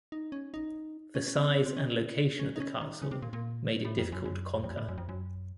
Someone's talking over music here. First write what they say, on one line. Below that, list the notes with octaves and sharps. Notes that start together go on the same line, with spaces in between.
The size and location of the castle made it difficult to conquer.
D#4
C#4
D#4
C#4
C#4
C4
C4
C#4
C#4
D#4
C#4
D#3
C#3
C3
A#2
A#2
A2
F2
F#2
F#2
F2
F#2
A2
F#2
F2
F#2